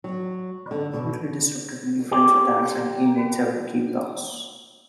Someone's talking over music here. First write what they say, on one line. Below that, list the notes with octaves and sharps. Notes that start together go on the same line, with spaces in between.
Hartley disrupted many French attacks and he made several key blocks.
F#3
D3
B2
G4 C5 D5